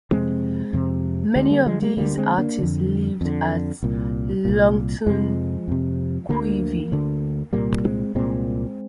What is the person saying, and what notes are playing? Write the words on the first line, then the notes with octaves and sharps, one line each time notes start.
Many of these artists lived at Loughton, q.v.
F2 C3 G#3 C4
F2 C3
D2 D3 G#3 C4
G3 A#3
F3 G#3
G3 A#3
D2 D3 G3 A#3
G#3 C4
A#3 D4
F2 D3
F2 D3
C2 A#2
C2 A#2
F2 C3 F3 G#3
F2 C3
D2 D3 G3 A#3
D2 D3
C2 A#2 G3 A#3
G#3 C4
C2 A#2 G#3 C4